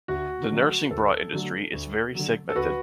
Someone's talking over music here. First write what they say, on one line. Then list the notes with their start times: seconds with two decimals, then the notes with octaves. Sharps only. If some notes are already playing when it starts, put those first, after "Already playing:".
The nursing bra industry is very segmented.
0.08 D2 F#4
0.50 D3 F#3 A3
0.91 D2 A4
1.33 D3 F#3 A3
1.73 D2
2.15 D3 F#3
2.49 A4
2.56 D2 F#4 B4